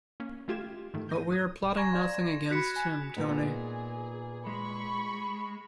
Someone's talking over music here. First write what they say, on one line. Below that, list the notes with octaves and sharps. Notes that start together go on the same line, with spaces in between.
But we are plotting nothing against him, Tony.
A#3 C#4
G#3 A3 F4 G4 G#6 E7
G#2 D#3 A3
G6 A#6 D#7
D#6
G#5 A#5 C#6 G#6 A#6 E7
D5 F5 C6
F#4 B5 F#6 B6 C#7
G#5
A#2 B3 D#4 G#4
G#3 B5 C#6